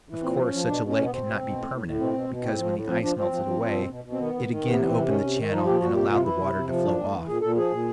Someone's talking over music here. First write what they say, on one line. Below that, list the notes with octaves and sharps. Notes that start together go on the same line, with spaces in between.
Of course such a lake could not be permanent, because, when the ice melted away, it again opened the channel and allowed the water to flow off.
E3
A#2 C4
F3
C#4
F3
B2 D4
B2
C#4
B2
B3
B2 C4
B2
B2
A2
A2
A2
B2 C4
B2
B2
A2 C4
F3
A2
F3 C4
F3 D4
F3 C4
F3
F3
F3
B2
B2
B2
C4
D#3 B3
D#3
D#3
C3 B3
E3 B3
C4
C3
D#3 C#4
C3
D#3
F3 D#4
A#2 G4
A#2 F#4
C3 G4
C3 F4
E3 E4
C3
C3
F3
A2 D4
A2
E3
A#2 G#4
A#2 A4
F3 G#4
A#2